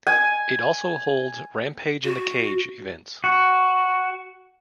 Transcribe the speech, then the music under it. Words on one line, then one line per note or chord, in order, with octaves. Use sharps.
It also holds Rampage in the Cage events.
G#5
F#4
F#4